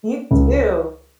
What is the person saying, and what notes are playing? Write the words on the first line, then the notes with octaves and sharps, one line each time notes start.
You too.
C#2